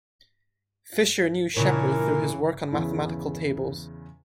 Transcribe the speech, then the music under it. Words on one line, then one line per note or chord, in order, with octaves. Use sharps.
Fisher knew Sheppard through his work on mathematical tables.
A#2 C#3 E3 D4 A#4 C#5
E2 C#3 E4